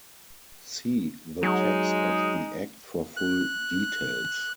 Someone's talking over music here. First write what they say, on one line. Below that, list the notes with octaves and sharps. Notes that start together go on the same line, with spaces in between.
See the text of the act for full details.
F#3 G#3 D#4
F#6